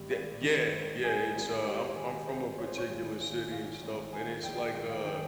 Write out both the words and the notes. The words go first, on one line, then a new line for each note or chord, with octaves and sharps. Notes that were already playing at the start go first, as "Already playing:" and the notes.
the Yeah, yeah. It's, uh, I'm I'm from a particular city and stuff, and it's like, uh
Already playing: G#1 G2 D#3 G4
G#1
D#3
G#1
G#1 G#4
G#1
G#2 G4
D#3 G#4
G#2 C5
G#1 C#5
C5
C#5
G#1
G#1
G#2 F5
G#1
D#3 G#5
A#1 G5
G#2 G5
F5
D#3 G5